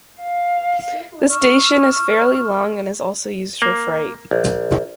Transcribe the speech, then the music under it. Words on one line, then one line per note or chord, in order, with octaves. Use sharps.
The station is fairly long and is also used for freight.
F5
C#6 E6 F6
A#3
A#1